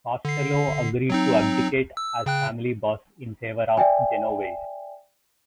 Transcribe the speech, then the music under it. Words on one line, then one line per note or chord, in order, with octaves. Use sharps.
Costello agreed to abdicate as family boss in favor of Genovese.
D3 C7
F#3 C4 D#4
E6
C#3 G5 F#6
D5 E5 G5 G#5